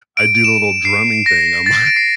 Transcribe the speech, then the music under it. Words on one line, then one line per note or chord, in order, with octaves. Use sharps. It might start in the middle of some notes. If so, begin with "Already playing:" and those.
I do the little drumming thing on my
D7
D7
E7
C7
A#6
A6
D7
C7